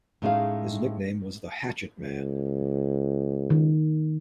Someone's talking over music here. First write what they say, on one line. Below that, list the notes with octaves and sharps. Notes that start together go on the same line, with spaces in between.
His nickname was The Hatchetman.
A2 G#3 A3 C#4 D#4 F5
C#2
D#3